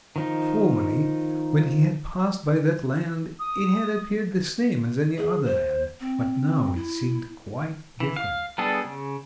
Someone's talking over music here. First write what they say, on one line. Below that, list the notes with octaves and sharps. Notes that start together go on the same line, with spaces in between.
Formerly, when he had passed by that land, it had appeared the same as any other land, but now it seemed quite different.
D#3 F3 D#4
D#6
G#4
C5
C4
E4
E3
F5
G3 B3 D4 G#4 A4
C#3